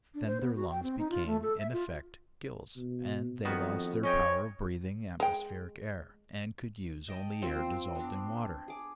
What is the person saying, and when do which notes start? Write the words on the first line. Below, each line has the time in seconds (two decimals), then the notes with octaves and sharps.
Then their lungs became, in effect, gills, and they lost their power of breathing atmospheric air, and could use only air dissolved in water.
0.15 D4
0.26 C5
0.41 B3
0.55 F#4
0.71 G5
0.83 C4
0.98 D#4
1.11 F4
1.26 A3
1.43 A4
1.58 E5
1.73 F4
2.76 B2
3.45 F2 D#3 B3 F#4
4.03 C#4 C#5 D#5 G5
5.20 G#3 G5
7.08 D#5 G5 A5
7.42 F3 C4
7.95 B3 D4
8.68 G#4 D6